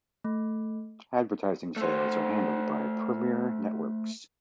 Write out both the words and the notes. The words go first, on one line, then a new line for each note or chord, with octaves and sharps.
Advertising sales are handled by Premiere Networks.
A3
A3 C5